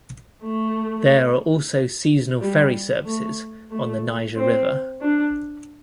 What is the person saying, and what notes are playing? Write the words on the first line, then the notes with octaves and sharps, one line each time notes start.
There are also seasonal ferry services on the Niger River.
A3
G3
A3
A3
C4
D4